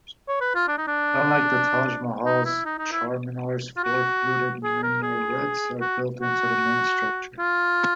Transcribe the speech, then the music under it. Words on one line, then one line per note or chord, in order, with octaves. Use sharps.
Unlike the Taj Mahal's, Charminar's four fluted minarets are built into the main structure.
C#5
B4
F4
D4
D#4
D4
D#4
E4
D#4
D#4
E4
F4
F#4
G#4
A#4
G#4
F#4
F#4
F4